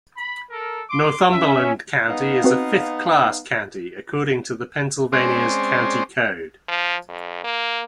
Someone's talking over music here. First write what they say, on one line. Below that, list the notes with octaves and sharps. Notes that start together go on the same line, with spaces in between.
Northumberland County is a fifth class county according to the Pennsylvania's County Code.
B5
A4 A#4
C6 D6
C#4 E5
B3 D#4 F5
C4 F#4 B4
G#3 C4 C#4 C5 D5
F3
F2
A#3